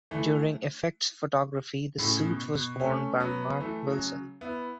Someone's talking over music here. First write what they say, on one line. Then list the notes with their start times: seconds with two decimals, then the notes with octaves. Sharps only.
During effects photography, the suit was worn by Mark Wilson.
0.11 E3 A3
1.99 A2 C#3
2.26 B2
2.53 B2
2.80 A3 C#4
3.20 F#3 B3
3.60 E3 A3
3.87 C#3 F#3
4.41 B3 E4